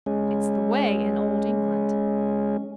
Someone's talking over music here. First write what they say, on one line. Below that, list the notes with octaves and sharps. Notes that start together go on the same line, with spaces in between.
It's the way in Old England.
G#3 C#4